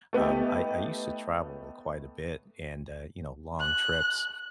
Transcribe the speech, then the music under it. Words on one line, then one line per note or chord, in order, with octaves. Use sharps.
Um, I I used to travel quite a bit, and, uh, you know, long trips,
A3 B3 D#4 G4
F#6